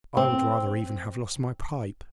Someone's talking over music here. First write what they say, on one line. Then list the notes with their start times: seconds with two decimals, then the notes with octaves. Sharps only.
I would rather even have lost my pipe!
0.17 C4